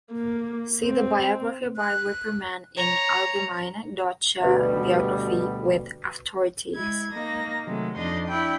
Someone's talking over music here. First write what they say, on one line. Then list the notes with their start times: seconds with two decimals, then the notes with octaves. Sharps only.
See the biography by Wippermann in "Allgemeine Deutsche Biographie", with authorities.
0.12 A#3
0.83 C4
1.77 F#6
2.76 C#5 A#5
4.42 D2 B2 G3 F#4 B4 E5
6.74 G#3 E4 G#6
7.10 A#3 D#4 A#6
7.65 C3 D#3 F#3 G#3 A3
7.96 F2 D4 D#4 D#5 C6
8.26 D4 E4 G5